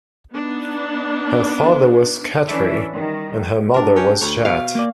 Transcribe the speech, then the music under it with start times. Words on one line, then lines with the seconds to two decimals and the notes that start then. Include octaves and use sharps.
Her father was Khatri, and her mother was Jatt.
0.33 B3 D4 D#4
2.47 E3 C#4 D4 E4 E5
2.93 D#3 G3
3.74 D4 A#4
3.96 C#4 G5
4.21 D2 C#5
4.45 B2 F5
4.75 A#3 D5